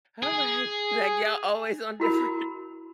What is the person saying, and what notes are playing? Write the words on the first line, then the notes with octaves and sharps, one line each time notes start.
"All right," like, y'all always on different
G#4
E4 F#4 A#4 B5